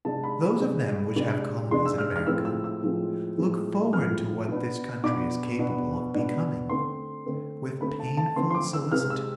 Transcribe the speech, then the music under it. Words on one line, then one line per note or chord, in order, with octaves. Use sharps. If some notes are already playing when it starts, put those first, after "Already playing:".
Those of them which have colonies in America look forward to what this country is capable of becoming, with painful solicitude.
C3 G#3 D4 A5
B5
B5
C3 G#3 D4
C3 G#3 D4
C3 G#3 D4 C6
E6
F6
F6
A2 F3 G#3 C4 E6
E6
E6
A2 F3 G#3 C4
A2 F3 G#3 C4
A2 F3 G#3 C4 F6
B2 B3 D4
B2 B3 D4 D6
B2 B3 D4
B2 B3 D4
D3 A3 C4 C6
D3 A3 C4
D3 A3 C4 B5
A5
A5
D3 A3 C4 C6
C6
D6
E6
C3 G#3 C4 F6
E6